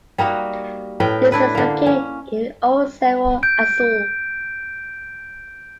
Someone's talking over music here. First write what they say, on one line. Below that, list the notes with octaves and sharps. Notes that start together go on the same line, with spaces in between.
This is located in old Cerro Azul.
G3 A#3 D#4 F#4
A2 A#4 B4 G5
D4 E4 B4
D3 A#3
C#4
G6 D7